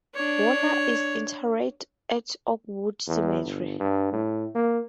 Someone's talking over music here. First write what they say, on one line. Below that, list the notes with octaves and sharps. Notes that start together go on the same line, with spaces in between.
Warner is interred at Oakwood Cemetery.
D4 C#5
E2
G1
G2
A2
A#3